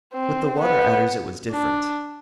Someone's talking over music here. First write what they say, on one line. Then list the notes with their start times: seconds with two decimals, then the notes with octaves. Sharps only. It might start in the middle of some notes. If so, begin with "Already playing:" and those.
With the Water-Adders it was different.
0.14 C4
0.60 B3
1.51 D4